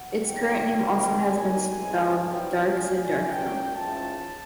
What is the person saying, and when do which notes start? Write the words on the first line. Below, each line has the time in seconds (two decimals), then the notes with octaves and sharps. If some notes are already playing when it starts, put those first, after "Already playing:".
Its current name has also been spelled "Darkes" and "Darkville".
Already playing: F#5
0.26 G2 D#3 F#3 G5
0.76 D2 C3 D#3 G3 A#3
1.26 C2 B2 F#3 A#3 D#4 G#5
1.76 D2 C#3 E3 G#3
2.25 D3 F#3 B3 E4 G5
2.76 C2 A#2 F#3 A3 D4 G#5
3.25 D3 F#3 A#3 C#4 G5
3.75 G#2 E3 G#3 C#4 F4 A5